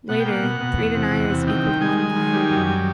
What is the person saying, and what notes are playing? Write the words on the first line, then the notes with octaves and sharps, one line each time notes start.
Later, three deniers equaled one liard.
B2 F#5
G5
A#3 F#5
B2
B2
E2
C3
E2
C3
D#3 G5
D#3
G#3 G#5
G#3
D#3
G3
F#2
G3